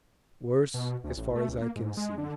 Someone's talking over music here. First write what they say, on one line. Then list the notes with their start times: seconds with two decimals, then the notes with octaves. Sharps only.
'Worse, as far as I can see.
0.74 B2
1.04 D2
1.17 A1
1.35 A3
1.49 C#2
1.62 A#3
1.76 G#2
1.97 G#3
2.18 D3